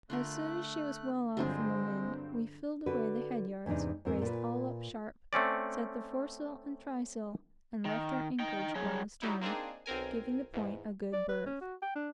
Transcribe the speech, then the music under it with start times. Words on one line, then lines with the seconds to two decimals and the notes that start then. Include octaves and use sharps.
As soon as she was well off from the wind, we filled away the head yards, braced all up sharp, set the foresail and trysail, and left our anchorage well astern, giving the point a good berth.
0.10 D3 A3 F4 A#4 F#6
1.37 G2 D3 F#3 G#3 C4 F4 G#4
2.86 D3 F#4 B4
3.66 E2 G#2 C3 D4 D#4
4.05 E2 G#2 C4 A#4
4.22 A#2 B4
5.33 A3 C4 C#4 D5
7.85 D#3
8.40 D#4 G5
8.75 F#3 G#4
9.22 F#3 G3 D#4 E4
9.41 A#3 C4 D4 D#4 G#4
9.86 B1 C4 A#4 G#5
10.54 E2 G#2
11.13 D5
11.29 B4
11.46 C#4
11.61 F#4
11.82 G5
11.95 D4